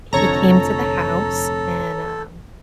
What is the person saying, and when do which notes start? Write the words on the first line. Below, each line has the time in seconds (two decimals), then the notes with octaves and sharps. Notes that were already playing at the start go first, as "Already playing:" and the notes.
he came to the house, and, um
0.13 F1 F2 D3 A4 C#5 A#5